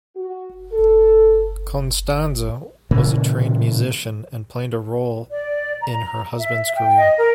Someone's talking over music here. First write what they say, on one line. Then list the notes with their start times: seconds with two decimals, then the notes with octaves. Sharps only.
Constanze was a trained musician and played a role in her husband's career.
0.16 F#4
0.72 A4
2.91 A#2 C#3 E3 A#3
5.30 D5
5.81 A#5
6.38 E5
6.75 G5
6.96 D#5
7.17 A#4